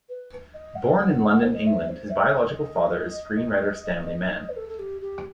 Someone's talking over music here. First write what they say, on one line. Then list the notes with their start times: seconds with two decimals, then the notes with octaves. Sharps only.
Born in London, England, his biological father is screenwriter Stanley Mann.
0.09 B4
0.54 D#5
0.76 F#5
1.43 C5
1.55 D#5
1.66 E5
1.89 C5
2.10 E5
2.33 D#5
4.35 D#5
4.49 B4
4.57 A4
4.69 A4
4.79 G4
5.01 G4